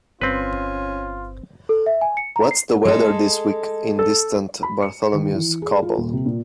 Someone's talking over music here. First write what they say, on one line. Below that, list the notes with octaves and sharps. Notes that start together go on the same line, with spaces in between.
What's the weather this week in distant Bartholomew's Cobble?
G1 C4 C#4 F4 B4
A4
E5
G#5
C#7
A#5
C7
G#3 A4
A4
B5
C#7
D#3
E3
G#4
F4
D#1
C3
A#2